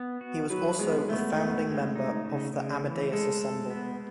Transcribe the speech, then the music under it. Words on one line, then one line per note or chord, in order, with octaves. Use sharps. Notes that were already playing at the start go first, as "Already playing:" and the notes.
He was also a founding member of the Amadeus Ensemble.
Already playing: B3
F#4
F#3 B4
G#3 B3
A3 B3
A3 B3
G#3
D#4
C#3
C#3
E3
G#3 A4
A4
B3